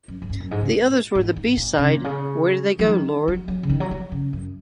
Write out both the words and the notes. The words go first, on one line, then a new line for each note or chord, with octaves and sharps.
The others were the B-side Where Did They Go, Lord?
F#2
G#2
F#2
F#2
G#2
C#3
A#2
G#2
G#2
A#2
C#3
A#2
C#3
F#3
D#3
F#3
F#3
C#3
D#3
F#3
F#3
C#3
F#2